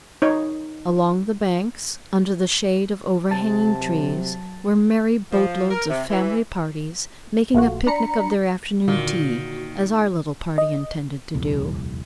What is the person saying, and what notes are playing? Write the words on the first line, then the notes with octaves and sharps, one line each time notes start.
Along the banks, under the shade of overhanging trees, were merry boat-loads of family parties making a picnic of their afternoon tea, as our little party intended to do.
D#4 C#5
C3 F#3 A5
F3
A#4
C3
E3
A#1 A3 F4 F#4
D4 A#5 B5 C#7
A#2 D3 D#3 D4 F#4
D#5
D#1 C2 F2